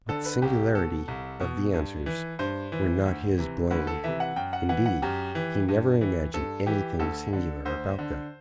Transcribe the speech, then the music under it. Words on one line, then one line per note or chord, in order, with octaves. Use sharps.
But the singularity of the answers were not his blame; indeed, he never imagined anything singular about them.
D3 A4
B4
C2 G4
B2 A4
C2
B2
G2
E3
G2 C5
E3
D2
C3 E3
D2 B4
A4
C3 E3 E5
F#5
F#2 G5
F#5
E3 F#5
F#5
F#2 G4
E3
G2
E3
G2 A4
E3 G4
D2 A4
D3
D2 C5
D3